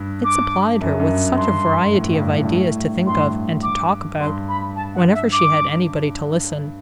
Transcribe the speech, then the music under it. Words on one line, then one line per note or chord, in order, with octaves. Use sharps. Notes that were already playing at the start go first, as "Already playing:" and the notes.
It supplied her with such a variety of ideas to think of, and to talk about, whenever she had anybody to listen!
Already playing: G2
D6
F#2
F#2
G2 C6
A2
G2
A2
G2
A2
A2
G2 C6
D6
G2 C6
B5
A5
F#5
E5
D6